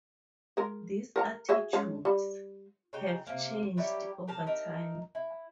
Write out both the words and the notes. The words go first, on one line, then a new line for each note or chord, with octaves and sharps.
These attitudes have changed over time.
G#3 A#4
A#4 F#5 A#5
F#4 G#4 E5
G#3 C#4
G3
C#3 D#4 G4 G5
C3 A#3
F#3 G3 E4 G4
G4 A#4 A5
D#4 A#4 E5
E4